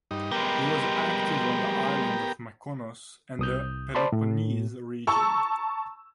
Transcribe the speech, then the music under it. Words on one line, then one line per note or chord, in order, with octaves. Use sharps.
He was active on the island of Mykonos and the Peloponnese Region.
G2 D#4
G3 G#3 B3 G4 A#4
C2 D#6 G6
C5 D5 A5 B5 C6
A2
A5 A#5 C#6 E6